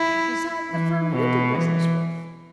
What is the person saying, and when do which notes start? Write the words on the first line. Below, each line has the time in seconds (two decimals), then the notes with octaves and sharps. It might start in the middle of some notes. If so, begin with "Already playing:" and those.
"Is that the firm you do business with?"
Already playing: E4
0.73 E3
1.14 B2
1.56 E3